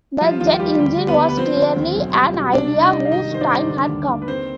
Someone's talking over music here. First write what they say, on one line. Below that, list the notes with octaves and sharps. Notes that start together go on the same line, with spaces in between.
The jet engine was clearly an idea whose time had come.
F3 G3 F4
D#2 F3 F4
G3 G4
D2 G3 G4
G3
B3 B4
G3
B4
F3 C4 C5
D3
D#2
B1
G3
B2
C2 D4 D5
C2
D#4 D#5
C3
F5
G#1 D#4 D#5
D#3 C5
D4 D5
G2
D3
D#2
D#2
B4
D#3 C4 C5